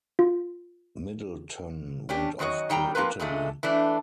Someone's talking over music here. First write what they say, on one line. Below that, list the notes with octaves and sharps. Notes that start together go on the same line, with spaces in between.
Middleton went off to Italy.
F4
C#4 D4 G4
F#2 D#3 F#4 C#5 D#5
D#3 G3 G5 A#5
F3 A#3 C4 A#4 B4
A#2 D3 G#3 A3
E3 A3 D4